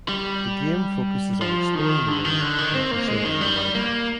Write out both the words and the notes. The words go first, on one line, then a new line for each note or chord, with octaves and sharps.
The game focuses on exploring the world and conserving the wildlife.
G3
F3
D#3
D3
D#3
D3
D#3
C4
A#3
G#3
D#3
G3
A#3